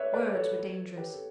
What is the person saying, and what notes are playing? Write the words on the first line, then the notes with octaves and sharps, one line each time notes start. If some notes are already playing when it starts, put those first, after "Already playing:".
Words were dangerous.
Already playing: B4 C#5 D5 E5
B4 D5
A4 C#5
G4 B4
A4